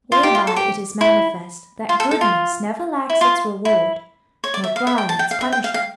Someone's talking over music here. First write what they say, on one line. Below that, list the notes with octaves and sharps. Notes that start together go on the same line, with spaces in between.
Whereby it is manifest that goodness never lacks its reward, nor crime its punishment.
F4
G4
F4
A4
G4
E4
F4
A4
A4
F4
E4
F4
E4
C#5
D5
E5
F5
E5
G5
A5
G5
F5
E5
G5
F5
F5